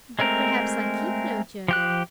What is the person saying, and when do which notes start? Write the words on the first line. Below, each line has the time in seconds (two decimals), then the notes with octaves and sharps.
"But, perhaps, I keep no journal."
0.19 G#3 A3 C4 A#4
1.68 F3 G4 F#6